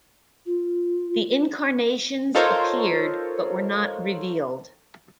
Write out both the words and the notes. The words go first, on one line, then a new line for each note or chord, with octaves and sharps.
The incarnations appeared, but were not revealed.
F4
D#4 F4 A4 A#4 C5 C#5